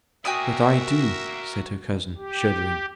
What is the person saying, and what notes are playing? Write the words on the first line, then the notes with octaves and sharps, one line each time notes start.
'But I do,' said her cousin, shuddering.
F#4 A#4 D5 E5 G5 G#5 D#6
G4